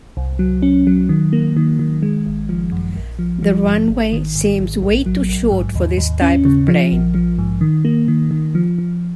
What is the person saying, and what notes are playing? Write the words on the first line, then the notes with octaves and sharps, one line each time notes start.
The runway seems way to short for this type of plane.
C2
F#3
C#4
F#3
D#3
A#3
D#3
D#3
G#3
G#1
F3
F#2
A#1
F3
F3
G#2
G#1
D#3
G#2
G#1
A#1
F#3
A#1
G#2
D#2
D#2
C#4
C#3
F3
A#1
F3
G#2
D#3
A#3
D#3
D#3
F3
F3